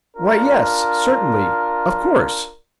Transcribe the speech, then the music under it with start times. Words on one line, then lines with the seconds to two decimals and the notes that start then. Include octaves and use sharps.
Why yes, certainly, of course!
0.17 D4 F4 A#4